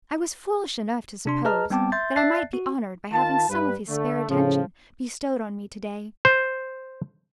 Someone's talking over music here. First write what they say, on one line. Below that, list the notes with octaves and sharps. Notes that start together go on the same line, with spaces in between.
I was foolish enough to suppose that I might be honored by having some of his spare attention bestowed on me to-day.
C3 D4 C6
G#4 B4 D#5 A5 A#5 F6
G3 B3 C4 G5 A5 D6
E5 C6 G6 A6
D5 E5 A5 F#6 A6 C7
F#4
D#3 F4 A5
G2 B4
D3 A3
A2 C#3 F3
C5